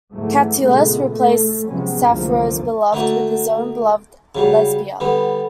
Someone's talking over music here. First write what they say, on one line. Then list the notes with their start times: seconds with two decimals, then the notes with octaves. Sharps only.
Catullus replaces Sappho's beloved with his own beloved Lesbia.
0.14 G#2 D3 E3 F#3 A3
0.59 A#2 C#3 G#3 A3 B3
1.05 A3
1.66 C3 F3 F#3 G#3 B3 C#4
2.04 C2 F#2 D3 F3 A3 A#3
2.93 D3 A3 D4 D#4 F#4
4.35 C#3 F#3 G3
5.00 D3 G3 B3